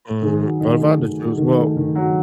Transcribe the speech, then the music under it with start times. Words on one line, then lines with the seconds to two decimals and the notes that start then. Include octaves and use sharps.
Mm, well if I had to choose, well,
0.22 D#3 G#4
0.41 F#3
0.60 D#3 D#5
0.80 A3
1.00 D#3
1.19 F#3
1.37 D#3
1.57 A3
1.76 D#3
1.95 F#3